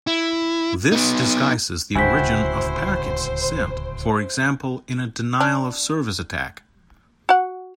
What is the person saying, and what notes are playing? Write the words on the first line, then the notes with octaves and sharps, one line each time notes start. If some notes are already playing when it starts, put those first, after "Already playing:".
This disguises the origin of packets sent, for example in a denial-of-service attack.
E4
B3 D#4
D1 C#2 E4 F#4 C5 G5 G#5 B6
D4
F#4 F#5